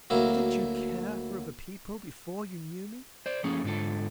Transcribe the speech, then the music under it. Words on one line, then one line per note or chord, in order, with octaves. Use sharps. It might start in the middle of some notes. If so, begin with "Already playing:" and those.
Didn't you care for other people before you knew me?
D2 F#3 A#3 E4
C5 D5
F3 A#3 C#4 G#4 A4
G#2 D3 F4 A4